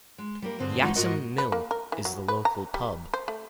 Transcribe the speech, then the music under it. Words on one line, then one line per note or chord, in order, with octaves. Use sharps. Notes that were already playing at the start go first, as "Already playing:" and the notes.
Yaxham Mill is the local pub.
G#3
G3 A#3 A#4
G2 D3 C4 F#4 G#4 C5
E3 G3 G#3 D#4 F4 F#4
G#2 F4 F#4 A#4 D#5
B4
A#3
A#4
E3
F#3
B4
A#5
G3
C5
A3